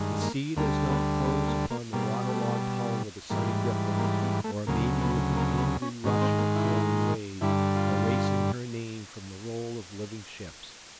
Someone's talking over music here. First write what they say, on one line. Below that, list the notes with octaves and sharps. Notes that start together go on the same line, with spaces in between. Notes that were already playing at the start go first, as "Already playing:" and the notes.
The sea does not close upon the water-logged hull with a sunny ripple, or maybe with the angry rush of a curling wave, erasing her name from the roll of living ships.
Already playing: G2 D#3 G#3
A#3
D2 D3 G3 A#3
B3
B3
A#3
A#3
B2 G3 A#3
A3
G#2 E3 G3 A#3
A#3
B3
A3
D2 C#3 F#3 A#3
B3
A#3
B3
C#4
G#2 D#3 G#3 C#4
C4
A#3
E4
G2 D3 G3 E4
F4